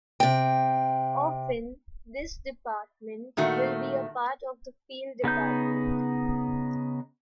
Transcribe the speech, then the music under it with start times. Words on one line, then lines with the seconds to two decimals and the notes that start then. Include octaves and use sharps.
Often, this department will be a part of the field department.
0.20 C3 G5
3.37 A#2 D#3 A3 F#4
5.24 C#3 B3 D#4 G6